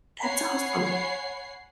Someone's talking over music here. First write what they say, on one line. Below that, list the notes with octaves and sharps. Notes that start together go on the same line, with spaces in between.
That's awesome.
C#5 F#5 G#5 B5 C7